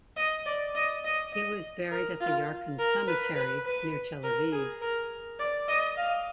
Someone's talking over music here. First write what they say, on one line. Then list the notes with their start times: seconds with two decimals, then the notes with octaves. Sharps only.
He was buried at the Yarkon Cemetery near Tel Aviv.
0.17 D#5
0.46 D5
0.75 D#5
1.04 D#5
1.33 D#5
1.91 A#4
2.20 F4
2.79 A#4
3.07 B4
3.36 B4
3.66 B4
4.23 A#4
4.52 G#4
4.81 A#4
5.40 D5
5.68 D#5
5.97 F5